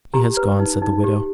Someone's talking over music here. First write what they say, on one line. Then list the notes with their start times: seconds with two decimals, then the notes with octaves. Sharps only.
"He has gone," said the widow.
0.14 G4 A#5
0.37 B4
0.59 D#4
0.82 D#4
1.04 G4